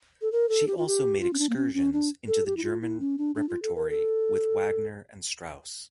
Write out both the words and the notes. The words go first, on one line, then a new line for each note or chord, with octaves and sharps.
She also made excursions into the German repertory with Wagner and Strauss.
A4
A#4
A4
G4
F4
G4
F4
C#4
D4
A#3
C#4
C#4
D4
A4
G4
E4
F4
E4
C#4
D4
D4
F4
A4
A#4
A4